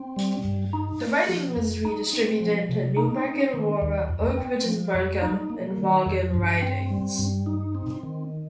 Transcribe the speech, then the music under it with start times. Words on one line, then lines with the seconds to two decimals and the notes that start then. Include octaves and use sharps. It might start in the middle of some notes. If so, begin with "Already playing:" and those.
The riding was redistributed into Newmarket-Aurora, Oak Ridges-Markham, and Vaughan ridings.
Already playing: C4
0.16 G3
0.44 G2
0.73 D#4
1.01 A#3
1.29 F3
1.57 F2
1.85 D#4
2.13 C4
2.41 F3
2.69 C3
2.97 D#4
3.25 C4
3.54 D#3
3.82 D#2
4.09 F2
4.38 C4
4.65 F3
4.94 F2
5.22 D#4
5.50 A#3
5.78 D#3
6.06 F2
6.34 G2
6.62 C4
6.90 G3
7.19 G2
7.46 D#4
7.75 C4
8.03 D#3